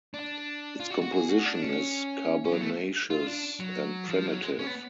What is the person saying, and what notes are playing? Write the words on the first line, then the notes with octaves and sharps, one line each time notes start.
Its composition is carbonaceous and primitive.
D4
F4
F#4
F#4
G#4
F#4
D4
C#4
C#4
F#3
A3
F4
D4
F#3
F3
F#3
G#3
C#4
B3